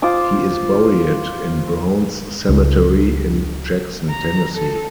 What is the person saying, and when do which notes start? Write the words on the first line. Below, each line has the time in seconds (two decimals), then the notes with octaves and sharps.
He is buried in Browns Cemetery in Jackson, Tennessee.
0.02 F4 C5 D6 D#6
2.49 C#2
4.10 A#5
4.54 A4